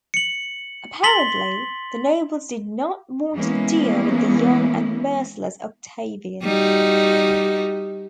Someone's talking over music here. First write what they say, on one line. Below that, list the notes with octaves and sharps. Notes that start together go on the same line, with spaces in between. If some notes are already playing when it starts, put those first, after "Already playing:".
Apparently, the nobles did not want to deal with the young and merciless Octavian.
C#7 F#7
C6 A6 B6 F#7 G7
E3 G#3 A#3 B3 C#4 E4
G3 D#4 F#4